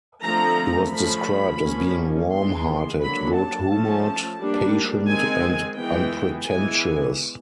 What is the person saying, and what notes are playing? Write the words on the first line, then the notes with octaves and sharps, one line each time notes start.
He was described as being warm-hearted, good-humoured, patient, and unpretentious.
D3 F3 A3 C4 A#5
F3 A3 C#4 B5
F3 A#3 C#4
E3 G#3 B3 C6
D3 F#3 A#3 D4 B5
A5
F3 A3 C#4
G3 A#3 D4
D#3 G#3 C4 G#5
E3 G#3 B3 G5
E3 G#3 B3 G#5